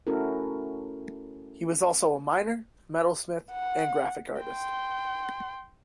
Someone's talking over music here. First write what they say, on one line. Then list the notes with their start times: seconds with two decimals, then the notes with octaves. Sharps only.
He was also a miner, metalsmith, and graphic artist.
0.07 A3 C#4 E4 F#4 A4 A#4
3.51 F#5
4.42 G5 C6